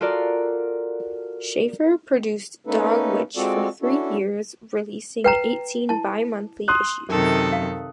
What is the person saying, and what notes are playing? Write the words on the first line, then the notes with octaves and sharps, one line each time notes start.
Schaffer produced Dogwitch for three years, releasing eighteen bi-monthly issues.
F4 F#4 A4 A#4 D5
A3 A#3 C#4 D#4 A4 B4
G#3 C4 F4 F#4 A4 D5
C#4 D4 E4 F#4 A4
B4 G5 A#5 C7 E7
E4 A5
C6 D#6 F#6
F#2 C3 D#3 A4
F5